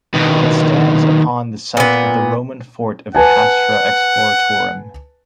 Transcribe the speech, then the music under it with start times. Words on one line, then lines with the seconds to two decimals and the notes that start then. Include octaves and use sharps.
It stands upon the site of the Roman fort of Castra Exploratorum.
0.14 D#2 B2
1.77 A#2 B3
3.15 B4 F#5 G#5 A5